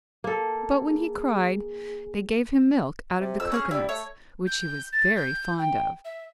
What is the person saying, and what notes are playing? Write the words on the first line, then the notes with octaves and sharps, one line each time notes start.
But when he cried they gave him milk out of the cocoanuts which he was very fond of.
A#3 A4
G#4
C3
F2 E6
C#4 F#4 G#4 F6
G3 E4
A3 C#5
G6
A6
G6
G5
E5